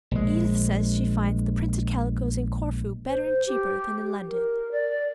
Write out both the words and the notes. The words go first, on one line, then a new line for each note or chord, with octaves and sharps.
'Edith says she finds the printed calicoes in Corfu better and cheaper than in London.'
A#1 G#3
C5
G4
A#4
D5